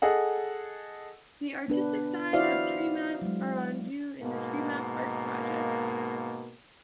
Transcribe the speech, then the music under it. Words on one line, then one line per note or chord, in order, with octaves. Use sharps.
The artistic side of treemaps are on view in the Treemap Art Project.
G#4 A4 D#5 F#5
B3 D4 B4
E4 F#4 C5 D5 E5 F5
F#3 G#3
G#2 B2 A#3